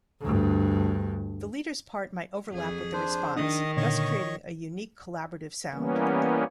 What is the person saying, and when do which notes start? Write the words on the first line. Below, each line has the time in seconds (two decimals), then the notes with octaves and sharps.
The leader's part might overlap with the response, thus creating a unique collaborative sound.
0.21 D2 G2
2.50 F2 G#4
2.93 D4 C5
3.36 D#3 D4 D#5 D#6
3.77 A#2 D3 C#5 D#5 C#6
5.74 E3 G3 A#3 B3 C#4